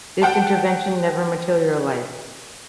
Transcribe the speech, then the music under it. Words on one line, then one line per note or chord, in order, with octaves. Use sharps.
This intervention never materialised.
F#5 G5 A5